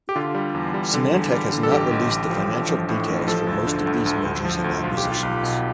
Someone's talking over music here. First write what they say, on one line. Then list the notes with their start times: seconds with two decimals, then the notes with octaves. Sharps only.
Symantec has not released the financial details for most of these mergers and acquisitions.
0.09 G4
0.16 D3 F4
0.35 G3
0.54 E2
0.74 G3
0.94 D3
1.13 E2
1.33 G3
1.52 D3
1.63 A4
1.72 A1 G4
1.91 A1
2.11 A1
2.30 F3
2.50 A1
2.69 F3
2.89 A2
3.08 A1
3.27 F3 A4
3.47 D2
3.67 D3
3.86 D2
4.06 D2
4.25 D2
4.45 F3
4.64 D2
4.84 B1 F4
4.97 G4
5.03 B1
5.11 F4
5.23 B1
5.43 B2